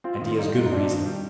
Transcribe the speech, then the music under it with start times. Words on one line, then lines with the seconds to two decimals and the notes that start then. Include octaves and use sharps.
And he has good reason.
0.04 C4 F4
0.21 D#3 F4
0.38 G3 D#4
0.55 F4
0.66 D#4
0.73 C4 D4
0.90 D#3
1.06 G3